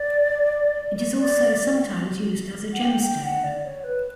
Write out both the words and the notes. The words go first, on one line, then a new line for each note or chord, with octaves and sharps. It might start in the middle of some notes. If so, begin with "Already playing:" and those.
It is also sometimes used as a gemstone.
Already playing: D5
D5
F#5
G5
G5
F#5
D5
C#5
B4